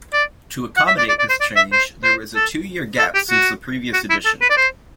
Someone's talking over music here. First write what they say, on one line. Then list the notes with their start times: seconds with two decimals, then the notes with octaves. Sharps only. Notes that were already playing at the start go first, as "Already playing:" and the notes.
To accommodate this change, there was a two-year gap since the previous edition.
0.13 D5
0.77 F#5
0.87 E5
0.98 D5
1.09 D5
1.19 D5
1.30 C5
1.40 D5
1.56 E5
1.72 C5
2.04 C5
2.35 A4
2.99 A4
3.14 G4
3.30 F#4
3.94 F#4
4.10 E4
4.25 A4
4.41 B4
4.50 D5
4.57 C5